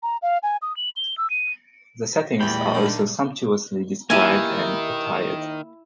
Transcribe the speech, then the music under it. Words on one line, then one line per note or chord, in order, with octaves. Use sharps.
The settings are also sumptuously described and attired.
A#5
F5
G#5
D#6
F#7
G7
E6
D#7
E2 A#2 G3 A3 G4 G5 B5
D3 D#3
D#3 A#3 E4 G4 G#5